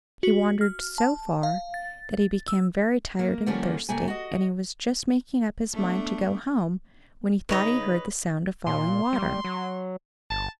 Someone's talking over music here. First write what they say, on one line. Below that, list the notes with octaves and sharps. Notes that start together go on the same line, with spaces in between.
He wandered so far that he became very tired and thirsty, and he was just making up his mind to go home, when he thought he heard the sound of falling water.
F#4
F6
A5
F5
A6
E6
A#3
D3 F3 G3 A3 A#3 C#4
C3 A3 A#3 G#5
F#4 D#5
A3 B3 D4
C#3 D#4 B4 C#5 D#5
A#2 C6
G3
F#3
G1 A5